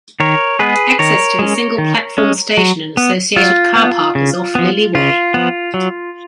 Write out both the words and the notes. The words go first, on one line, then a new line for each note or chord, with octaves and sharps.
Access to the single-platform station and associated car park is off Lily Way.
D#3 A#4 C#5
G#3 B3 G#4 B4
D#3 A#4 C#5
G#3 C#4
D#3
G#3 C#4
F#3
B3
F#3 F4
B3
C#3
F3 B3
C#3 F4
F3 B3
F#3